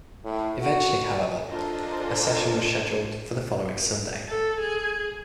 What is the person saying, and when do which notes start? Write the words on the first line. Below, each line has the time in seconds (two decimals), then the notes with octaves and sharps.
Eventually, however, a session was scheduled for the following Sunday.
0.24 A2
0.61 F#4
1.49 D4 F4 A4 A#4 C5 D#5
4.27 A4
4.60 G#4